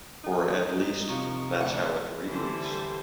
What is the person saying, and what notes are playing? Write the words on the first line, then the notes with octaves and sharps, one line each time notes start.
Or at least, that's how it reads.
D#4
C3 F3 A#4 C#6
D2 E3 D4 F#5
D3 E3 G3 A4 C5